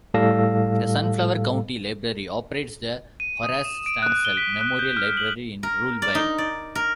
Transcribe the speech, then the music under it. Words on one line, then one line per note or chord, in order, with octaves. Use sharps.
The Sunflower County Library operates the Horace Stansel Memorial Library in Ruleville.
A2 G3 A4 F5 E6 A#6
D#7
D#6
E7
D7
F#6
G7
B6
F#6
G6
F6
F#7
A#4
D5
D#4
D5
A#4